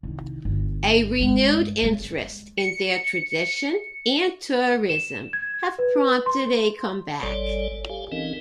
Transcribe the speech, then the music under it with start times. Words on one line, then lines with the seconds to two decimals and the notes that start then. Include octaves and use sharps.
A renewed interest in their tradition and tourism have prompted a comeback.
0.03 C2 D#3
0.45 G1
1.19 G2 G#3
1.82 G3 G#3
2.58 C#7
4.89 E7
5.33 G#6
5.79 B4
6.26 C6
7.23 G#1 G3 A4 C#5 D5
7.89 G4 A4 F5 G#5
8.12 E3 C4 C#4 D#4 A#4 D#5